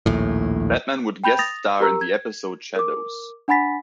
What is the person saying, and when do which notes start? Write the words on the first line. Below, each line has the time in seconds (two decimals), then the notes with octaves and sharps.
Batman would guest-star in the episode "Shadows".
0.06 A#1 D#2 A2
1.24 G5 B5 G6 F7
1.39 D#6 A6 A#6 F7
1.80 G4 A#4 A#5 E6
2.01 G#6
2.76 A#4 D6
3.48 D4 F#5 G#5 B5 A6 B6